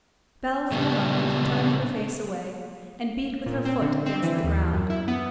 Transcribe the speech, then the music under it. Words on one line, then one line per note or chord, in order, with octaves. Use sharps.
Bell for a moment turned her face away, and beat with her foot against the ground.
A#2 C#3 G3 B3 D4
A#2
C4
D3
C4
E3
D#2
F#2
E4
B3